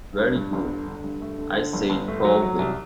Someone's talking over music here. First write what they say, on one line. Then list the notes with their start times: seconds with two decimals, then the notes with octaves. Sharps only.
"Very good," I said coldly.
0.18 G2
0.35 G2
0.53 G1
0.70 D3
0.87 D3
1.04 G2
1.22 A3
1.38 D3
1.56 D3
1.73 G1
1.90 G1
2.08 A3
2.24 F#3
2.42 F#3
2.59 C2